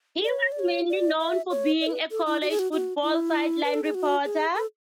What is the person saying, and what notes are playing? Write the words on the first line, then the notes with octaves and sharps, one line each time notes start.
He was mainly known for being a college football sideline reporter.
D5
C#5
D5
C#5
D5
E5
C#5
D5
A4
B4
A4
E4
F#4
G#4
F#4
F#4
E4
B4
A4
G#4
F#4
G#4
A4